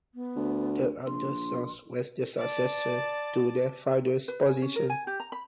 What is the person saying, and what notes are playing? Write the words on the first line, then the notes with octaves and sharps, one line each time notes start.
The eldest son was the successor to their father's position.
B3
D2
A#1 C6
D5 A5
B4
G#5
C#4
A#4
G#5
G4
A#5
B5